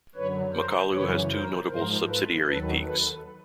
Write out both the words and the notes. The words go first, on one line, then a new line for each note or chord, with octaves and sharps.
Makalu has two notable subsidiary peaks.
F#2 D3 F#3 B4 C#5
A#4 C5
F#2 C#3 E3 B4 C#5
A#4 C5
G#2 F3 A#4 C5
A4 B4
D#2 D#3 F#3 A4 B4
A4 B4